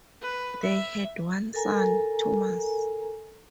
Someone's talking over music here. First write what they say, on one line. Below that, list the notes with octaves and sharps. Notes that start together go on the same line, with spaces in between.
They had one son, Thomas.
B4
E5
A4 A#4 G#5 A#5